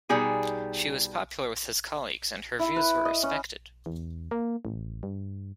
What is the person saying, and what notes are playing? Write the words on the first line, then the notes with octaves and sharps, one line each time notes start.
She was popular with his colleagues and her views were respected.
B2 G3 D#4 G#4 G#5
E4
B4
D#5
C#4
E2
A#3
A1
G2